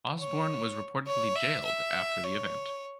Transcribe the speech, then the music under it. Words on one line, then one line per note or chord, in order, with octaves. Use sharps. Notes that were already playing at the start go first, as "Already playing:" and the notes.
Osborn was reportedly jailed after the event.
C#5
C#5
E5
E5
C#5